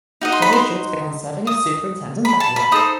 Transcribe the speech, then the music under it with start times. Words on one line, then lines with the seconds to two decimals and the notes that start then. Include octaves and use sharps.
Jerry Schutz began serving as superintendent that year.
0.21 D#4 F#4 D#5
0.32 C6
0.42 B5
0.53 C6
1.47 D#6
2.25 B5
2.40 A5
2.56 B5
2.72 D#4 A4 C5 D#6